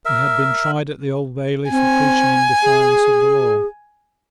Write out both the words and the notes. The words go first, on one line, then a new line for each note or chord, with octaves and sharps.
He had been tried at the Old Bailey for preaching in defiance of the law.
A#4 E5
C4 G#5
G#4